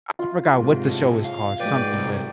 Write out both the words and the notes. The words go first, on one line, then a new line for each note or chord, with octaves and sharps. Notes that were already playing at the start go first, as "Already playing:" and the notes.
I forgot what the show is called, something, but
F4
G#2 C3
A2
F5
G#2 B4 D5 G5
C2